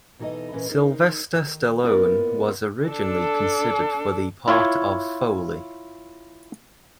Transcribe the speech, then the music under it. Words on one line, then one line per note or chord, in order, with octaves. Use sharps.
Sylvester Stallone was originally considered for the part of Foley.
B2 E3 D#4 G#4 A4 D#5
A#2 E3 C#4 B4 D#5
D#4 A#4 C5
D#3
A#3 B3 E4 F4 A#4 D5
D4 A4
E4 F4 C#5